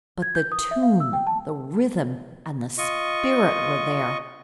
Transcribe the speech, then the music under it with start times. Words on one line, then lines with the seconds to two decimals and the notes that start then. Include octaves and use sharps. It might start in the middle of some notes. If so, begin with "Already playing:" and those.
But the tune, the rhythm, and the spirit were there.
0.22 G#6
0.35 G6
0.52 D#6
0.71 E5
0.82 F5
1.00 E6
1.13 G5
1.27 A5
2.78 F4 D#5 C#6